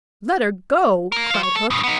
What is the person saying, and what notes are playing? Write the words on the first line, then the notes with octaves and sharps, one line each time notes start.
"Let her go!" cried Hook.
A#3 A#4
C5 F5
C#5
A4
G2 B2
B3 D#4